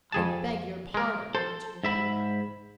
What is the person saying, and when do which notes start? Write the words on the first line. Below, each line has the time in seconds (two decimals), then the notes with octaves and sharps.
"I beg your pardon!" returned Pencroft.
0.12 F2 G#4 A5
0.94 G#3 A#4
1.35 A4 C5
1.84 G#2 E5 B5